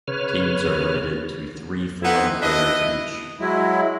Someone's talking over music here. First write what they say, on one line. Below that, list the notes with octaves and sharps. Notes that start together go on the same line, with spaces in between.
Teams are limited to three foreign players each.
C#3 B4 C#5 F6
B3 C4 D#4 E4
D4 E4 B4 D#5
F#3 G#3 E4